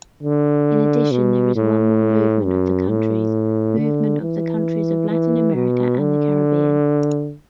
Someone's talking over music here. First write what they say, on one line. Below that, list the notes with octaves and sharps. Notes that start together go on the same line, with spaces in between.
In addition there is one more movement of the countries - movement of the countries of Latin America and the Caribbean.
D3
B2
A2
F#2
A2
D3
E3
E3
B2
D3